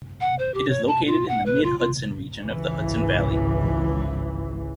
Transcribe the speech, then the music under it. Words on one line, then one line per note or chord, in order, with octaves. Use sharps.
It is located in the Mid-Hudson Region of the Hudson Valley.
F#5
C5
G4
C#5
A5
F4
F#5
B4
F4
F4
G#1 C#2 E3